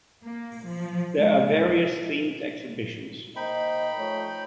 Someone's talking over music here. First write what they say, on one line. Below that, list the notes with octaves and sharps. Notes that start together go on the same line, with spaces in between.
There are various themed exhibitions.
A#3
F3
G#3
A#3 D#4 C5 D#5 G5 B5
F3 A3 C#5